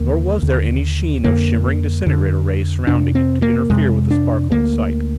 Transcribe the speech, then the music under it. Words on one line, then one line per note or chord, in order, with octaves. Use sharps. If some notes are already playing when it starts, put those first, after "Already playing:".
Nor was there any sheen of shimmering disintegrator rays surrounding it, to interfere with the sparkling sight.
Already playing: D#2 D3 A#3
D#2 D3
F2 D3 A#3
F2 D3
F2 C3 D4
C4
A#3
F2 C3 G#3
D4
D2 D3 A#3